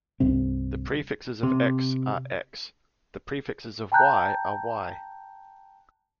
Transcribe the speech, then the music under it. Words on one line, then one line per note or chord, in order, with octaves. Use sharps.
The prefixes of "X" are "X"; the prefixes of "Y" are "Y".
C2 G2 C3 C4
C3
G5 A5 A#5 F#6 G6